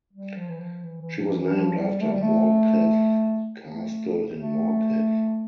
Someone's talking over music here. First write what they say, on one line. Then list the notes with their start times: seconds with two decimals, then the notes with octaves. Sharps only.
She was named after Morpeth Castle in Morpeth.
0.13 G3
0.37 F3
0.49 E3
0.60 F3
0.83 E3
1.01 E3
1.18 F3
1.37 E3
1.54 F3
1.77 G3
2.01 A3
2.11 G3
2.22 A3
3.65 A3
4.35 A3